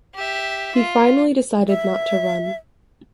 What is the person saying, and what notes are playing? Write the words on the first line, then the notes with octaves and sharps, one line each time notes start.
He finally decided not to run.
G4 E5
F4
E5